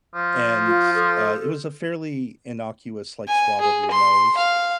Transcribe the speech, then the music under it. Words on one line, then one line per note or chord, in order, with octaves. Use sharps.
and, uh, it was a fairly innocuous, like, swab of your nose.
F3
F4
A4
G#5
G#4
C6
F5